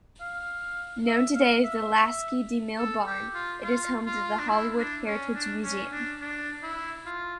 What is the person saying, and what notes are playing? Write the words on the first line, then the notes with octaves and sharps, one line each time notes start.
Known today as the Lasky-DeMille Barn, it is home to the Hollywood Heritage Museum.
F5
E5
F5
E5
A4
G4
F4
F4
F4
D4
E4
D4
C#4
D4
C#4
D4
D4
E4
F4